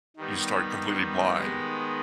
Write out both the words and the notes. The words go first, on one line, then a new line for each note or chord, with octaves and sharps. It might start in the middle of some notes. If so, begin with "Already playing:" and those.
you start completely blind
D#3 G3 B3
D#3 G#3 B3